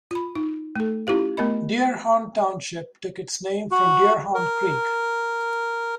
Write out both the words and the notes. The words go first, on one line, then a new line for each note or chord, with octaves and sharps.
Deerhorn Township took its name from Deerhorn Creek.
F4 B5
D#4
A3 A4
C#4 E4 F4 G4 F5
A3 B3 A#4 D#5 B5
F#4
A#4